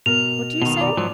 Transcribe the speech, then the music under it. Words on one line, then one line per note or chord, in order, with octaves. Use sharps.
"What do you say?"
B2 A#4 F7
B2 D#3
D5 A#5 D6
G#2 F3 F#3